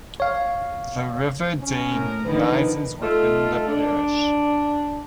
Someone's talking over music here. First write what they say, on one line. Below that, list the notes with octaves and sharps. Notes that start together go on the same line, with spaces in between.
The River Dane rises within the parish.
C#5 F5
C#4
A2 A#4
D3 D#3 F3 B4
A3 D#4 F4 A4
D4